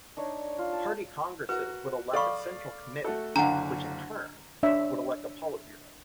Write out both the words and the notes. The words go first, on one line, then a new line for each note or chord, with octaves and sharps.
Party Congresses would elect a Central Committee which, in turn, would elect a Politburo.
D4 D#4 C#5
F4
A5
F#4 A#4 B4
A4 D5 F5 B5 C#6
A3 F#4 A4
F#1 D3 D4 F5 F#5 A#5
D4 C#5 E5